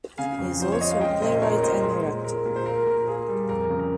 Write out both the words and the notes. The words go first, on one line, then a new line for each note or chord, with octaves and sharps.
He is also a playwright and director.
C#3 F5 G#5
F2
F3 C5
C#5
C#3 D#5
F5
G#3 D#5 G5
A#2 C5 D#5
A#2 A#4 C#5
A#2 C5 D#5
G#3
A#2
G#3 A#4
A#2
C5
A#3 A#4
A#2
A#3 G#4
G3
F2 A#4
C#3
A#4